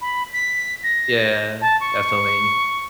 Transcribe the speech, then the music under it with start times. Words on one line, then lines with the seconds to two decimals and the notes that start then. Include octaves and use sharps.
Yeah, definitely.
0.01 B5
0.33 B6
0.83 A#6
1.62 A5
1.80 C#6